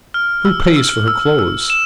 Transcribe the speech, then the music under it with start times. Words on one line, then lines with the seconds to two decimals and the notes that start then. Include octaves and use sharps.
Who pays for her clothes?
0.14 F6
0.45 E6
0.76 E6
1.08 E6
1.39 E6
1.70 E7